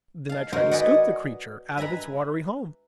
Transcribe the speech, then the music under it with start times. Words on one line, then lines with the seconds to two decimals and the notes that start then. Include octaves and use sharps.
Then I tried to scoop the creature out of its watery home.
0.29 F5 A5
0.52 F#4 A#4 C5 D#5 F5 F#5
0.71 G#4 B4 D5 D#5 F#5
1.78 B4 E5 G#5 A#5 B5